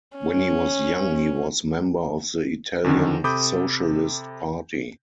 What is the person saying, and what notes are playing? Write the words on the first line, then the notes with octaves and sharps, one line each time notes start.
When he was young he was member of the Italian Socialist Party.
C#4
E2 D3 D#3
C3 A4 B5 D6 D#6 G6